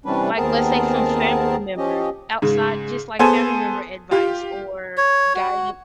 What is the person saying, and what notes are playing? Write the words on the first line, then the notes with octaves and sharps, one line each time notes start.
like, let's say some family members outside just, like, family member advice or guidan
C3 E3 G3 C#4 D4 B4
D#2 B3 C4 G#4 A#4 A5
F3 C#4 G4 D#5
G#2 C#3
B3 G#4 A4 C5 G#5
F4 G4
C#5
F#4